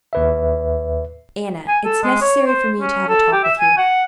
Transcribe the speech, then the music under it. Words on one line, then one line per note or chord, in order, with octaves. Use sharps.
"Anna, it's necessary for me to have a talk with you."
D#2 B4 E5
G#5
A4
G#3
C#5
C5
C#4
A4
G4
E5
G#5
F#5